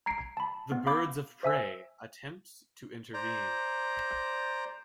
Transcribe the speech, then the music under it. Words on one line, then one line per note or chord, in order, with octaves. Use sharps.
The Birds of Prey attempt to intervene.
A#5 G#6 C7 D7
A5 B5
B3
F5 B5 D6 G6
C5 E5 G#5 E6
C5 D5 A#5